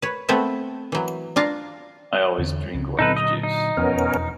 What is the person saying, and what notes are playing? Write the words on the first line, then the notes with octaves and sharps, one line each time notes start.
I always drink orange juice.
B4 C#5
A3 B3 C4 A4 E5
E3 F#3
D4 F4 F5 A#5
E2 D3
C#2 C#3
A#2 D3 F#3 D#4 A4 B4
D#5
D#4
E1 F2 F3 B3 C#4 A#4